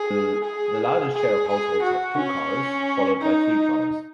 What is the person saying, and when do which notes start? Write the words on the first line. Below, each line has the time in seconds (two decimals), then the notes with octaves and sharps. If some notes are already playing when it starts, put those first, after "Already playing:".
The largest share of households have two cars, followed by three cars.
Already playing: G#4
0.43 G#4
1.13 G#4
1.48 G#4
1.82 F#4
2.17 C#4
3.21 D#4